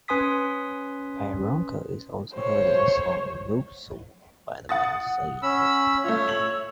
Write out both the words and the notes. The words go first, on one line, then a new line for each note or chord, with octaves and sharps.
Waronker is also heard in the song "No Soul" by the band Say Anything.
C#4 B4 G#5 C6 D#6 B6
C5 C#5
F#5 D#6 A6
C#4 B5 E6
A3 F4 C#5
E6 F7 F#7